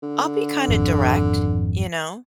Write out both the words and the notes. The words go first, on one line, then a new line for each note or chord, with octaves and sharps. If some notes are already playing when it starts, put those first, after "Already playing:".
I'll be kinda direct. You know?
D3
G#1 F2